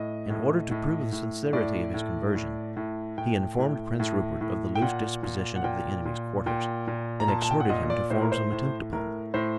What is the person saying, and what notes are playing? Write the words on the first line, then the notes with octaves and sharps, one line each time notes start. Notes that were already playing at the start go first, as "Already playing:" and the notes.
In order to prove the sincerity of his conversion, he informed Prince Rupert of the loose disposition of the enemy's quarters, and exhorted him to form some attempt upon them.
Already playing: A2 D#5
A2
A2
A2
A2 D5
A2
A2
A2
A2 G5
A2
A2
A2
G5
A#2 F#5
A#2
F#5
A#2 G5
A#2
A#2 G5
A#2
A#5
A#2 A5
A5
G5
F#5
A#2 D#5
D5
A2 C5
A#4
C5
A2
A2 A#4
A2 C5